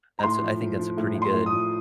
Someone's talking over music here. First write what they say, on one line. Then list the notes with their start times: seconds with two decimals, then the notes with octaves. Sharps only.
That's I think that's a pretty good
0.19 A#5
0.23 A2 C6
0.42 F3
0.60 F3
0.79 F3
0.97 A2
1.15 A2
1.22 C6
1.34 A2
1.46 D#6
1.52 F3